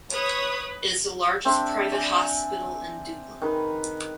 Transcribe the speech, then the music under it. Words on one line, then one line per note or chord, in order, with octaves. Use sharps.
It is the largest private hospital in Dublin.
B4 C#5 D#6
C4 D4 E5
D5 G#5
D#3 B4